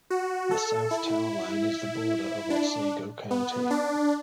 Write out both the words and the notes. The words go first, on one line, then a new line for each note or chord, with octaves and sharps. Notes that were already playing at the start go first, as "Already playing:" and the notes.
The south town line is the border of Otsego County.
F#4
A4
E4
D4
B3
D4